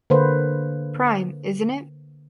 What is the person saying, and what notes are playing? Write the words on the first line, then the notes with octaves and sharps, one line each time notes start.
Prime, isn't it?
D3 A#3 B4 C5